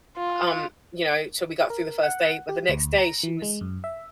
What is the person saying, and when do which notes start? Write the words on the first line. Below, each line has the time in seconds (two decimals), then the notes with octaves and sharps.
um, you know so, we got through the first day, but the next day, she was
0.18 F4
1.70 A#4
2.03 F#5
2.49 G4
2.69 D2
2.98 A#5
3.23 E3
3.42 G#3
3.61 F#2
3.84 E5